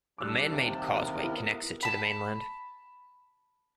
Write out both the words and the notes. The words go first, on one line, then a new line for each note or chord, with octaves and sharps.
A man made causeway connects it to the mainland.
G3 D4 A5 D6 E6 F#6
D#2 C3
B3 A#4
E4
A5 B5